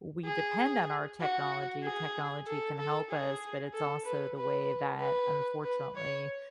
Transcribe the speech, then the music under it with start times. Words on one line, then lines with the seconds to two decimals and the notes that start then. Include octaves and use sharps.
we depend on our technology. Technology can help us, but it's also the way that unfortunately,
0.25 G#4
1.21 F#4
1.84 G#4
2.47 A4
2.78 A4
3.10 G#4
3.74 A4
4.05 B4
4.37 B4
5.00 B4
5.64 B4
5.96 C#5